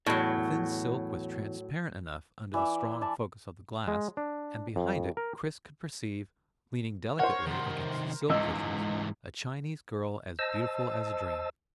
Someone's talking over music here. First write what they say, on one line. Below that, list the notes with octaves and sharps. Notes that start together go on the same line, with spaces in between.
The thin silk was transparent enough under the strong focus of the glass, and behind it Chris could perceive, leaning delicately against silk cushions, a Chinese girl as beautiful as a dream.
E2 A2 F#3
E3 D5 E5
D5 E5 A5
G#3
D4
F2
A#4
A#4 C5 C#5 F#5
C3 D#3
C#2 G#2 E3 D#5 E6
C5 D#5 A5 E6